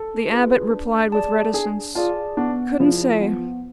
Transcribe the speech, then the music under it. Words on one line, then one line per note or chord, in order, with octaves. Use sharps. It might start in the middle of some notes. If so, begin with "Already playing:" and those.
The Abbot replied with reticence, couldn't say.
Already playing: A4
D4 F4 G#4 B4
D4
G#4 D5 A5
D4 G#4
F4 G#4 D5 A5
B3 D4
F3 E4 G#4 D5 F5
B3